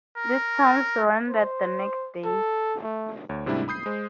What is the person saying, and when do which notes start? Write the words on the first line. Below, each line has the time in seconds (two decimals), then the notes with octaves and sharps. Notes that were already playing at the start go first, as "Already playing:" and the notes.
This town surrendered the next day.
0.17 A#4
1.28 C5
2.25 A4
2.83 A3
3.29 D2 C#5
3.46 G#2 C3 G3 A3 D4 E4
3.68 B5 D#6 G6 C7
3.86 G#3 C5